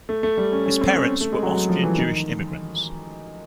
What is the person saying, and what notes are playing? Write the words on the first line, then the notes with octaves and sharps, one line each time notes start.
His parents were Austrian Jewish immigrants.
A3
A3
G3
C#4
C#4
C4
C#4
A3
G#3
F#3
F#3
F3
E3
D#3